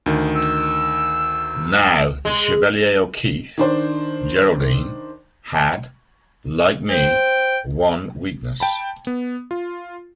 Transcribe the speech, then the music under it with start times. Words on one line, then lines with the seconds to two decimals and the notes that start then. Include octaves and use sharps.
Now the Chevalier O'Keefe, Geraldine, had, like me, one weakness.
0.06 D2 D#3
0.35 E6
2.25 G#3
3.58 D#3 D4 C5
6.91 C5 G5
8.60 G5 A5 B5
9.07 B3
9.51 F4